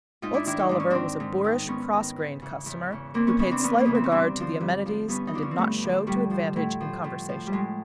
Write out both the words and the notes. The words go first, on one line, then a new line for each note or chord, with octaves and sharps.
Old Stolliver was a boorish, cross-grained customer, who paid slight regard to the amenities, and did not show to advantage in conversation.
G#2 D#4 F4
D4 E4
D#3 D4 E4
D#4
G#2 D4
C#4
D#3 C4 D4
G#2
D#3
G#2 B3 C#4
D#3
E2
C#3 E3
E2
C#3 E3
E2 A#3 C4
B3 C#4
C#3 E3 B3 C#4
C4 D4
E2 B3 C#4
A#3
C#3 E3 B3
C4
C#4
G2 C4 D4
D3 F3
G2
D3 F3
G2 B3 C#4
D#4
D3 F3 D4
C#4
C4
G2 A3 B3
D3 F3
A2 G3 A3
F3
A2
F3
A2
F3
G3
A2 G#3